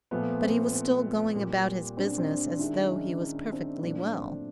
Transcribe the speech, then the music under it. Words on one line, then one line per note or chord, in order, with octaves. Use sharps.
But he was still going about his business as though he was perfectly well.
A#2 F3 A3 B3
C4
C4
A#2 G3 A#3
C4 D4
C4 D4
D#3 G#3 D4 E4
C#4 D#4
D4 E4
C4 D4
A#2 F#3 A3 C4 D4
C4